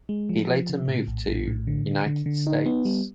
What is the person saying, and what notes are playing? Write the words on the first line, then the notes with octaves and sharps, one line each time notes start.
He later moved to United States.
G#3
F3
F3
C#3
A2
A#1
A#1
A2
D3
D3
D3
D3
D#4
B3
G3